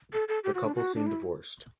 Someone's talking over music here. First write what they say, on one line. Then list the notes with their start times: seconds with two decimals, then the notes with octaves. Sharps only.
The couple soon divorced.
0.13 A4
0.28 A4
0.44 G4
0.55 F#4
0.65 D4
0.76 F#4
0.95 D4
1.07 E4